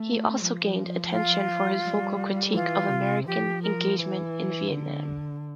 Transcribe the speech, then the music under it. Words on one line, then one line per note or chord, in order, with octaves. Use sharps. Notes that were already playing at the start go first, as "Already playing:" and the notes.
He also gained attention for his vocal critique of American engagement in Vietnam.
Already playing: A3
F3
F4
G3
E3 F4
C3
F3 G4
A#4
E3
D3